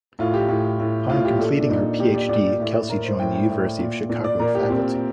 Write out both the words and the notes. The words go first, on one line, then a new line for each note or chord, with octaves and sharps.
Upon completing her Ph.D., Kelsey joined the University of Chicago faculty.
A2 F4
G4
A2
A2
A2 F4
G4
A#2 A4
D4
A#2 D#4
A#2 G4
D5
A#2 D5
A2
A2 A#4
C5
A2 G5
G5
A2
A#2
A#2
D5
A#2 A#4
G4
A#2 C4